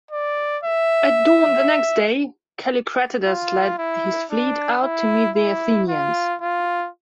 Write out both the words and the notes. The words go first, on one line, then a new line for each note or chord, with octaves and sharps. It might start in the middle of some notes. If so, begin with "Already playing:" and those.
At dawn the next day, Callicratidas led his fleet out to meet the Athenians.
D5
E5
F4
E4
D4
E4
E4
F4
F4